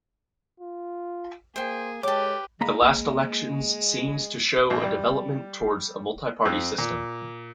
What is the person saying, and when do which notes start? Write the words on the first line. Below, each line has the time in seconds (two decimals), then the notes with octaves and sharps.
The last elections seems to show a development towards a multi-party system.
0.60 F4
1.56 A#3 G#4 C5 G5
2.03 G#3 G4 A4 B4 C#5 G5 D6
2.61 G#3 A#3 A#5 B5
4.70 A1
4.83 G3
6.45 F2
6.78 A#2